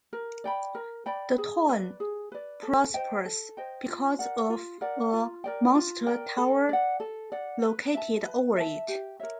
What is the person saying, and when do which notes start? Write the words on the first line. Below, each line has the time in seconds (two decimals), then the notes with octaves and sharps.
The town prospers because of a Monster Tower located over it.
0.13 A#4
0.44 D5 G5 B5
0.75 A#4
1.06 D5 G5 B5
1.38 G#4
1.69 B4 D5
2.00 G#4
2.32 B4 D5
2.63 A4
2.94 C5 D#5 G5
3.25 A4
3.57 C5 D#5 G5
3.88 F4
4.19 A#4 D5 F#5
4.50 F4
4.81 A#4 D5 F#5
5.13 F4
5.44 A#4 D5 G5
5.75 F4
6.06 A#4 D5 G5
6.38 A4
6.69 D5 F#5
7.00 A4
7.32 D5 F#5
7.63 B4
7.94 E5 A5
8.25 B4
8.56 E5 A5
8.88 G4
9.20 A#4 C#5 E5